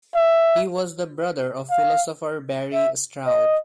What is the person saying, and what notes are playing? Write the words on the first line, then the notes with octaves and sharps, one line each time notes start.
He was the brother of philosopher Barry Stroud.
E5
F5
E5
D#5